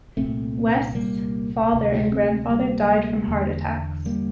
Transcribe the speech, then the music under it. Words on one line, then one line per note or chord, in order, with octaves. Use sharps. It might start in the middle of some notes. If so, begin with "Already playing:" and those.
West's father and grandfather died from heart attacks.
C2 A#2 A3 C4
G3 A#3
D2 C3
A3 C4
G3 A#3
E2 D3
G3 A#3